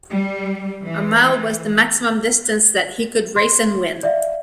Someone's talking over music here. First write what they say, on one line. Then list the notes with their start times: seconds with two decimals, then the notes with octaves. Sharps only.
A mile was the maximum distance that he could race and win.
0.11 G3
0.85 E3
3.36 C6
4.03 D5 E5 F5